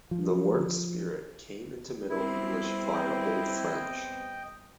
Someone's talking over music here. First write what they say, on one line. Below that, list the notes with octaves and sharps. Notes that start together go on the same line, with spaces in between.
The word "spirit" came into Middle English via Old French.
F3
G3 B3 C4 E4
D#5 G5